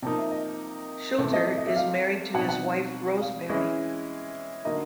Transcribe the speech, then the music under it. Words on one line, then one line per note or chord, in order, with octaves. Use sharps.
Schulter is married to his wife, Rosemary.
C3 F3 A#3 D#4 A5
E5
D#5
C3 E3 A3 C4
D#5
D#5
D#5
E5
F5
B2 G3 C4 D#4 F#5
F#5
F5
E3 G#3 C#4 E4 D#5
D3 F#3 A#3 D#4 D#5